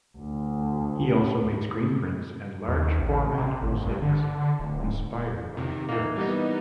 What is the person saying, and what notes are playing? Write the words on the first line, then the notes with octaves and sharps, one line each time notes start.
He also made screen prints and large format mosaics inspired by lyrics.
D2
D#2
A1
C3
G#1
G2
D3
D1
C3 D#3
E3 A#3 D#4
G3 B3 D#4